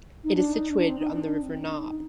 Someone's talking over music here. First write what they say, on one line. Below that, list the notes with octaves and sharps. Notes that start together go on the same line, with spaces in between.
It is situated on the river Naab.
D#4
D4
D#4
D4
C4
D#4
D4
D4
C4
D4
D#4